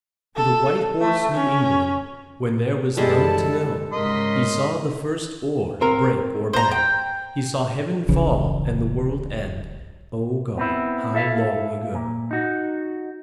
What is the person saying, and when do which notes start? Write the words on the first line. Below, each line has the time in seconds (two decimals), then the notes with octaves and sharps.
For the White Horse knew England When there was none to know; He saw the first oar break or bend, He saw heaven fall and the world end, O God, how long ago.
0.36 A4
1.01 A3
1.35 C#4
2.97 F#2 G3 G#3 E4 A4 A5
3.92 G#2 C#3 A#4 D#5 C6 B6
5.81 C4 A#4
6.53 C5 A#5
6.71 G5
8.09 D1 A#1 C#3 E3
10.57 B3 C4 E4
11.14 E4 A4 E5 F5
11.94 A#2
12.31 D#4 F#4